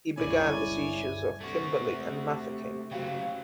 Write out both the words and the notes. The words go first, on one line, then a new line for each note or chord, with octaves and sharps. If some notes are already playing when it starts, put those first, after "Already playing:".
He began the sieges of Kimberley and Mafeking.
G1 C#2 E4 C#5 D5 G#5
C3 A3 F#4
C#3 F#3 F#4 F5 G5